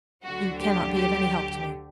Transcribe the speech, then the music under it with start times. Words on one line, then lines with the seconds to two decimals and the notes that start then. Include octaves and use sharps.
"You cannot be of any help to me."
0.23 D2 D3 F#3 F#4
0.60 G4
0.96 G4